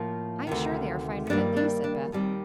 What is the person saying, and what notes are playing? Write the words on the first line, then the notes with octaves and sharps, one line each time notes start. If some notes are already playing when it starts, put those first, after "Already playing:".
"I'm sure they are finer than these," said Beth.
Already playing: A2 F3 A#3
D2 C3 D#3
G2 D#3 G3 A#3 D4
D4
D4
D#2 D#3 G3 C4